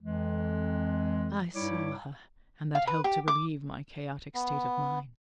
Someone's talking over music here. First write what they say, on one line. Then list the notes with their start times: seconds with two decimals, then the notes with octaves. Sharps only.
I saw her, and that helped to relieve my chaotic state of mind.
0.01 F2 E3 G#3
1.55 G2 G3 D#4 E4 C#5 D6
2.75 F5
2.87 B4
3.04 G4
3.28 D6
4.34 B3